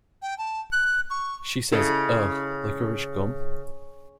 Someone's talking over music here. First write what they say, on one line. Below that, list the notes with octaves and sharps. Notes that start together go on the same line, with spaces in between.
She says, Ugh licorice gum?
G5
A5
F#6
C#6
C#3 E4 A4 D#5